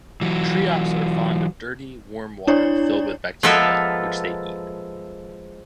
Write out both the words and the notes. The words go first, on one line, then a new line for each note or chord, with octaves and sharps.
Triops are fond of dirty, warm water filled with bacteria, which they eat.
E3 F#3
D4 E4 C#5 D5
F3 G#3 B3 A4 A#4 E5